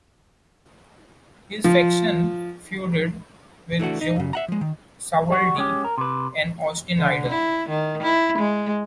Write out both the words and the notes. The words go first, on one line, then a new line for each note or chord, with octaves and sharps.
His faction feuded with Joe Savoldi and Austin Idol.
F3
E3 A3 D4 F#4
D#4
F#2 C#3
E5 F#5 A#5
F3 G#3
D#3
G3 F#4
G#3 C#4 G4
A#4
C3 B4
D3
E4
D#3
E4
G#3